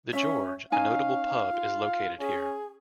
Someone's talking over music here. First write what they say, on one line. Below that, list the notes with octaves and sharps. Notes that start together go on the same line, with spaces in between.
"The George", a notable pub, is located here.
C#4 E5
C#4 D#4 F5 G#5
F4
C#4 G#4